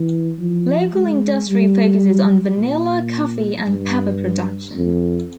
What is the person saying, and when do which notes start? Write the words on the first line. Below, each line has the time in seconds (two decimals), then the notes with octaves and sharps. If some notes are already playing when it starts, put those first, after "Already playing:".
Local industry focuses on vanilla, coffee, and pepper production.
Already playing: E3
0.39 F3
0.94 G#3
1.48 G3
2.57 A#2
3.66 G2
4.75 F2